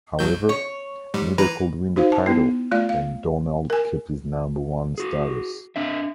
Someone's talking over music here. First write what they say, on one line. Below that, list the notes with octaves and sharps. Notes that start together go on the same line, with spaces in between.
However, neither could win the title and Donald kept his number one status.
B1 F#3 G6
C#5
G#2 G3
E3 B4 A#5
D#4 F#4 C5 F5
A5
B3 E4
A3 F4 D5 F5
F5
A#4 G#5
F#4 G#4
C4 D4 E5